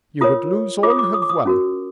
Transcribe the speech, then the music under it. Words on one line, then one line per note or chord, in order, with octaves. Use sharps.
You would lose all you have won.
F4 A#4 C#5 D#6
F4 A4 C#5 D6
D#6
D6
D#6
D6
D#6
C#4 F#4 A#4